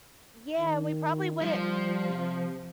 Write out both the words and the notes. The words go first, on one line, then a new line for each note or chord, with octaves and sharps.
Yeah, we probably wouldn't
D#3
F3 G3
C3